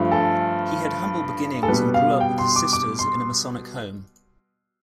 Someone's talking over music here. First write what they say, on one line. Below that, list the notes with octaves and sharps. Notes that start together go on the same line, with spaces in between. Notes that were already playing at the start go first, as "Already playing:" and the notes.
He had humble beginnings and grew up with his sisters in a Masonic home.
Already playing: G2 F3 A3
A4
A4
B2 G3 B4
F5
G5
C6
D6
D6
C6